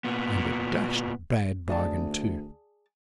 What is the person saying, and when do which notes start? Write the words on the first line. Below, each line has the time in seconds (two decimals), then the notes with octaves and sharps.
'And a dashed bad bargain too.
0.04 A#2 B3
1.68 D2 G#4 D5 A5